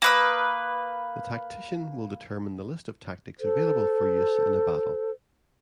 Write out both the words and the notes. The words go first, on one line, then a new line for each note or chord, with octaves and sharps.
The tactician will determine the list of tactics available for use in a battle.
A#3 B4 D#6
A4 C5